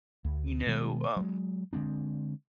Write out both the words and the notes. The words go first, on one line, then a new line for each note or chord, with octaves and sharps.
you know, um,
D2
B2 D#3 G#3 B3
F#3 G#3
D3 G#3 C4 D4